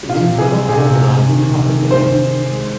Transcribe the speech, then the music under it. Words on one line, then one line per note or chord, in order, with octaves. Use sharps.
These were not organized public events.
C3 F4
C3
G#4
C4
C3 G#4
C3
C3
D#3
C3
D#3
D#3 C5
D#3
D#3
G#3